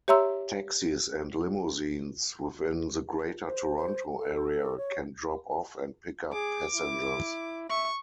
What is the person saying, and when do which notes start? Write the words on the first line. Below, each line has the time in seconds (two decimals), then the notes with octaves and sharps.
Taxis and limousines within the Greater Toronto Area can drop off and pickup passengers.
0.08 G4 C#5 E5 A#5 C6 E6
3.47 C5
3.77 C5
4.18 A4
4.78 C#5
6.33 G#4 D6
6.74 E4
7.70 E5 C#6